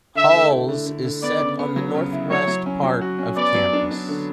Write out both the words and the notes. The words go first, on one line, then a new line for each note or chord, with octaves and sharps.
Halls is set on the northwest part of campus.
D3 E5
A3
E4
D3
D3
D3
B3 D5
C#3
B3
F#3
C#3
E4
F#3 C#5
F#3
C#4
F#3
F#4
C#4
B3 D5
F#3
D4
D4
D3